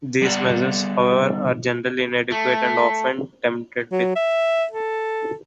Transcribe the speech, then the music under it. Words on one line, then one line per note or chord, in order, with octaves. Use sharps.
These measures, however, are generally inadequate and often tampered with.
G3 G#3 B3 D5
A3
F#3
E5
A4